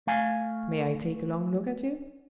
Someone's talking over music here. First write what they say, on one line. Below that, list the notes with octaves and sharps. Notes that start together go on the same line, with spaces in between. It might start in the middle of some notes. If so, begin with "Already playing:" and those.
"May I take a long look at you?"
A3 F5 G#5